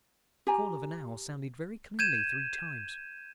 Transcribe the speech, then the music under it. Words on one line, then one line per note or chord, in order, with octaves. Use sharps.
The call of an owl sounded very clearly three times.
G4 G#5 A#5
G6 G#6 D#7 E7